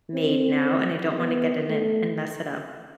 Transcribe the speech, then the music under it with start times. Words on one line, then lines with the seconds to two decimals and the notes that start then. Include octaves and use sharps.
made now, and I don't wanna get in it and mess it up.
0.14 C4
1.17 B3
1.68 A3